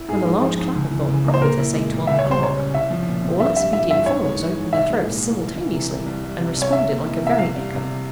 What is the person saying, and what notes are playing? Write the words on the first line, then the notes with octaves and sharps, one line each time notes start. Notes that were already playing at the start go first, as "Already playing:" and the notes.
When the large clapper thought proper to say "Twelve o'clock!" all its obedient followers opened their throats simultaneously, and responded like a very echo.
Already playing: E4
G#2 G#4
G#3
F3
G#2
C#2
E3
C#3
A#3
C5
A#2 A#4
E4
G#3
A#2
C#2 E5
C#5
G3
C5
C#3 C#5
C#4
C2 E5
F3
A#2
C4
G2 E5
G3 E5
E3 E5
G2 E5
G#2 C#5
G#3
E3
G#2
C2 E5
G#3
A#2
E4
C2
E3
C3
G3
C2
G3
C3
C2
C#5
C3 E5
A#3
E3
C3 E5
C2 F5
G3
C3